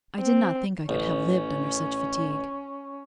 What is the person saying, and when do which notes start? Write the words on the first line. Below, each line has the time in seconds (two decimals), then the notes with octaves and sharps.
I did not think I could have lived under such fatigue.
0.19 C4
0.89 A1 C#4